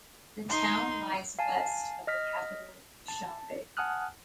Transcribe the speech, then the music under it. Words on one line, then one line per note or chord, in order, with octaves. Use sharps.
The town lies west of the capital Dushanbe.
D#4 C6
F5 G#5 A5
D#5 F6 B6
A5
F#5 G#5 A5 D#6 F6 F#6